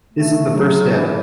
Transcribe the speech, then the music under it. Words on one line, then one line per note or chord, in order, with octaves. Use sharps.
This is the first step.
A3
F#3
E3